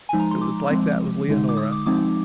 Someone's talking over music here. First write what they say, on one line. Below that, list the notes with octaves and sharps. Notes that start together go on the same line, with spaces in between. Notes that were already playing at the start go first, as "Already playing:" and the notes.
It was like that with Leonora.
F3 G#3 D#4 G#5
A#5
C6
D6
F3 G#3 C4
D3 G#3 D#4
D6
D#6
D6
F3 G#3 C4 D#4 D6